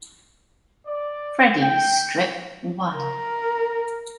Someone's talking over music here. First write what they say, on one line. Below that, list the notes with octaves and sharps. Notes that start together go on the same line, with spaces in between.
Freddie's strip won.
D5
G5
A#4